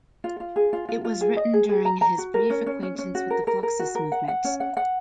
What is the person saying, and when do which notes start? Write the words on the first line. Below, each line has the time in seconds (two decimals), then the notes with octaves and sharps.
It was written during his brief acquaintance with the Fluxus movement.
0.24 F4
0.40 F4
0.56 G#4
0.73 F4
0.89 F4
1.05 F4
1.21 G#4
1.37 D#5
1.53 G#4
1.69 G#4
1.85 A#5
2.01 A#5
2.18 F#4
2.34 A#4
2.50 C#4
2.66 C#4
2.83 C#4
2.98 C#4
3.15 F#4
3.30 A#4
3.47 A#4
3.63 A#4
3.79 F#4
3.95 A#4
4.12 F#5
4.28 F#5
4.44 C#4
4.60 F#5
4.77 F#5